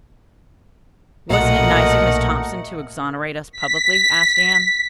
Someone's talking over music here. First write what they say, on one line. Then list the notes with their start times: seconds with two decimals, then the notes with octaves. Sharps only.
"Wasn't it nice of Miss Thompson to exonerate us publicly?" asked Anne.
1.30 B1 A#2 F#3 A3 A4 A#4 D#5 F#5
3.52 B6